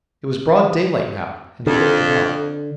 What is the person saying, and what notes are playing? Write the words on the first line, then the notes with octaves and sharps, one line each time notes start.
It was broad daylight now, and he looked about.
F2 D3